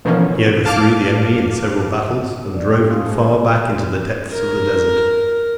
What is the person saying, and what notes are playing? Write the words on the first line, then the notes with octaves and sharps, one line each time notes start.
He overthrew the enemy in several battles, and drove them far back into the depths of the desert.
B2 D3 E3 F3 A#3 C#4
F5 A5 D6 F6
D5
C#4 G4 C#5 D#5 G5
G#3 F4 F5 C6 D#6
A3 G4 G#4 C5 G#5
A#4